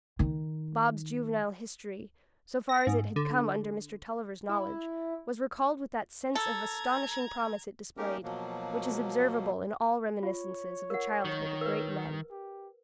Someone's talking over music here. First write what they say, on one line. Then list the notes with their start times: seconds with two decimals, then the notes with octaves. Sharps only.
Bob's juvenile history, so far as it had come under Mr. Tulliver's knowledge, was recalled with that sense of astonishing promise it displayed, which is observable in all reminiscences of the childhood of great men.
0.19 D#3 D#4
2.69 A#6
2.87 G#2
3.16 D3
4.49 E4
6.35 A4 A#5 G#6
7.97 A3 A#3 C#4 D#4 G4 A#4
8.23 B2 F3 F#3 A#3
10.23 F4 C#5
10.90 A#4 F#5
11.25 D#3
11.61 A#4 B4
12.31 G4